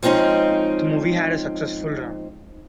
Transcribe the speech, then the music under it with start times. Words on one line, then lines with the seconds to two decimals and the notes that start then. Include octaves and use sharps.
The movie had a successful run.
0.03 F3 G#3 C4 C#4 D#4